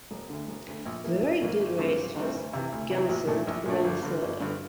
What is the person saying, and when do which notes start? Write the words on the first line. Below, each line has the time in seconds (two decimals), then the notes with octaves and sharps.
The very good racehorse Gunsynd ran third.
0.11 E1
0.30 D2 D3
0.48 E1
0.67 D2 D3
0.86 A#1
1.04 A2 E3 A#3
1.23 A#1
1.41 A2 E3 A#3
1.60 G1
1.78 G2 E3 A3 C4
1.97 G1
2.16 G2 E3 A3 C4
2.35 D2
2.53 C3 E3
2.72 D2
2.90 C3 E3
3.09 A#1
3.27 A#2 A3 D4
3.47 A#1
3.66 A#2 A3 D4
3.84 G1
4.02 G2 D3
4.22 G1
4.40 G2 D3